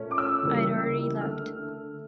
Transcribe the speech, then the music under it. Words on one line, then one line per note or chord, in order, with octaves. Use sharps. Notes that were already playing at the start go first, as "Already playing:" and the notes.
I’d already left.
Already playing: A#2 A3 C#4
D6
E6
C#2 C#3 E3 G3 A#3
D3 A3 F6